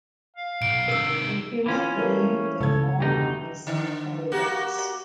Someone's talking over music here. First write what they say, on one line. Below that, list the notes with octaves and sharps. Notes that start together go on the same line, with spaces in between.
The human being, therefore, is a paradox.
F5
B1 D7
C3 D#3 A#4 E6
E3 C#4 F4
A3 A#3 B4 C#5
C#3 G#3 B3 A4 G#6
E2 B2 D3 D#4 G4
D3
A#3 F#4 G4